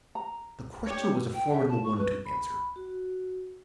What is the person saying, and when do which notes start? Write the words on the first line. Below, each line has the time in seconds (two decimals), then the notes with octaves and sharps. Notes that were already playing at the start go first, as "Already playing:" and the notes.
The question was a formidable one to answer.
0.15 A#5
0.86 D4 G4 C#5
1.34 G5
1.52 E5
1.69 A5
1.84 C#6
1.98 B4
2.25 B5
2.76 F#4